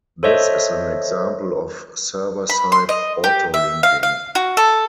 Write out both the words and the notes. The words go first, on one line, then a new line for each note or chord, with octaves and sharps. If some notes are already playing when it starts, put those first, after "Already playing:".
This is an example of server-side AutoLinking.
A4 C5 C#5 D#5 E5
B5
C6
D#5
G4
E5
F5
F5
F#4
A4